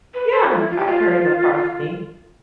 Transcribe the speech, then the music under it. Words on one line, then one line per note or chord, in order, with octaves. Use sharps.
Yeah, I've heard of the frosty.
B4
A4
F4
E4
F4
G4
F4